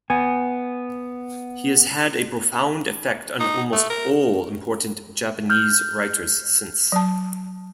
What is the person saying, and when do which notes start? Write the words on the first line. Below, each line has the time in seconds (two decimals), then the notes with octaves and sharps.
He has had a profound effect on almost all important Japanese writers since.
0.10 B3 G#5
3.40 D#4
3.73 A3
3.90 A#4
5.50 F6 G6
6.92 F#3 A5